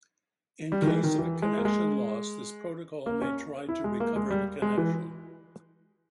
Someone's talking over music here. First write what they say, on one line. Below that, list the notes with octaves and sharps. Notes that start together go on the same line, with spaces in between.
In case of a connection loss this protocol may try to recover the connection.
G3
D#3
E3
D#3
E3
G#3
A#3
G#3
A#3
C#4
E4
G#3
A#3
G#3
G3
G#3
E3